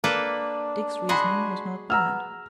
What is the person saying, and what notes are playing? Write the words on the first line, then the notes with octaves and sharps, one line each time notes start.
Dick's reasoning was not bad.
A#3 D4 A4 B4
F#4 G#4 D#5 B5 C6
B3 A#5 E6 F6